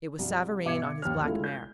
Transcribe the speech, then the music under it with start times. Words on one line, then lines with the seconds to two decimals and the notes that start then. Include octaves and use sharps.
It was Savareen on his black mare.
0.19 C2
0.65 B2 E5 D6 G#6 C#7
1.02 D#2 F6
1.24 G#3 A3 E4 F4
1.44 G6